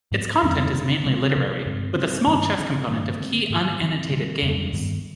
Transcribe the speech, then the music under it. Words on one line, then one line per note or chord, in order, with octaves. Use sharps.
Its content is mainly literary, with a small chess component of key unannotated games.
G#2 F3 B3
F2 D#3 G3
C3 D#3 B3 D4
C3 F3 G#3 C4
C3 F3 B3
G2 D3 G#3 C4
C3 G3 C4
G2 D#3 G3 D4
D3 F3 B3 D4
G2 D#3 G3 D4
D3 G#3 C4
G#2 D#3 B3
D3 F3 C4
C3 D#3 G3 C4
F2 D3 G3 D4
G2 D#3 G3 B3